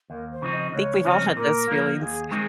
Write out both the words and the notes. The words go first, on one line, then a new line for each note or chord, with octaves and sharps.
I think we've all had those feelings.
D#2 A#4
C5
C#3 F3 C4 D#4
D#5
C#2 C#5
C#3 F3 C4 D#4
A#2 A#4
F3 A#3
D#2 G#4
D#3 G#3 C4 D#4 G#4